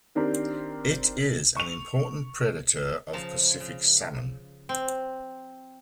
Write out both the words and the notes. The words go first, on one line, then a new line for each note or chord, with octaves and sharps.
It is an important predator of Pacific salmon.
D#3 C4 D4 G4 A#4
C#6 F7
C#3 F3 A5 A#5
C#3
C4